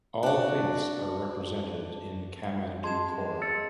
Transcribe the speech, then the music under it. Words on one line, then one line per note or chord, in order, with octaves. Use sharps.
All faiths are represented in Kamandou Koura.
D4 F#4
G#3 A5 C6 G#6 E7
E6 A6 C#7